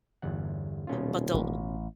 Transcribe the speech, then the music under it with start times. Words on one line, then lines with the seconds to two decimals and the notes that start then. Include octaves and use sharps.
but, they'll
0.22 G1 E2 F#5
0.87 D#1 B2 C#4 F4
1.34 A1